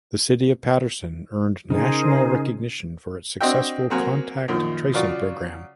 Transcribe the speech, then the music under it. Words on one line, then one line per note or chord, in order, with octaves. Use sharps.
The City of Paterson earned national recognition for its successful contact tracing program.
C#3 D#4 G#4 A#4 C5
C4 D4 F#4 D#5 E5 G5
F#3 A#3 C4 F#5 G#5 A#5
F#2 A#2 D#3 F3
C#3 F#3 F4 D5 C#6